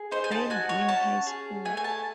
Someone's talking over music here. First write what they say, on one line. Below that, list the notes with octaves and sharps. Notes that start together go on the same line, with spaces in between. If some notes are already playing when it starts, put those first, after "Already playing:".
Baldwin High School.
Already playing: G#4
D#4 C5
G#5
A5
F#4 G#5
C#5
C#4 A5
G#4
A3 G#5
G#5
A5